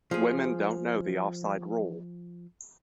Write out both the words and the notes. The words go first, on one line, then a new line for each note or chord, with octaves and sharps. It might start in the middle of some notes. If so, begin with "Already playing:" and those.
Women don't know the offside rule.
F3 G#4